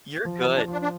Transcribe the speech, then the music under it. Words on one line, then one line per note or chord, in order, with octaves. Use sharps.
You're good.
F3
B3
F3
D4
F3 D4
D4